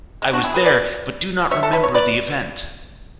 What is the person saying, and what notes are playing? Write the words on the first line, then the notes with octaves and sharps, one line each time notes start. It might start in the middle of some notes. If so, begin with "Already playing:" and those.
I was there but do not remember the event.
G#3
D4 F#4
E4 G#4
G#4 B4
B4 D5
C#5 E5
A4
B4
C#5
B4 D5